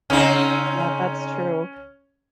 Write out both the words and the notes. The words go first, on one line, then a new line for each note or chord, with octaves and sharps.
Yeah, that's true.
C#3 C4 C#4 D#4